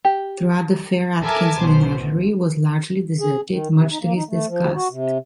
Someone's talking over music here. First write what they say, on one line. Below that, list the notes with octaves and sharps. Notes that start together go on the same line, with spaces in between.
Throughout the fair Atkins' menagerie was largely deserted, much to his disgust.
G4
A4 A#4 E5 G#5 A5 D6
B1 B2 C5
A1
G#4
D#3
C3
D#4
A#3
D#4
A3
F3
F#4
C3